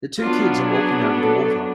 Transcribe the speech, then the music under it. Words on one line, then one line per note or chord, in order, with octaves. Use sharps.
The two kids are walking over the water.
F#3 B3 D4 F4
G#4
A4